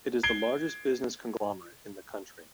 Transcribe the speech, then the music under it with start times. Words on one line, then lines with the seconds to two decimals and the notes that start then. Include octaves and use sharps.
It is the largest business conglomerate in the country.
0.23 G#6 C7 D7 G7